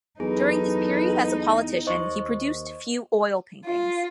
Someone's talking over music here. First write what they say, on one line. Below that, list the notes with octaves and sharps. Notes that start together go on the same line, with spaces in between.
During his period as a politician, he produced few oil paintings.
E2 F#3 D#4 G#4 A4 B4
D#2 C5 D#5 C#6
F4